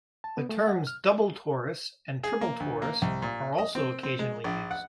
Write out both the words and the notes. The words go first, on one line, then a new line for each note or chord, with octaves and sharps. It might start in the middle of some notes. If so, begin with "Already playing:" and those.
The terms double torus and triple torus are also occasionally used.
A5
B3
A3
F#5
F6
G#4
A#3
D2
A#3
C2
A#2
D#5
C4
C4
G#3
A#1
F#5